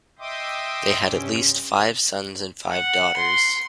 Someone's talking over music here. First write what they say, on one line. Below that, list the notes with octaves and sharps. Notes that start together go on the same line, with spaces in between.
They had at least five sons and five daughters.
D#5 E5 G5 C6 D6 D#6
G2 C3 C#4
F#5
C6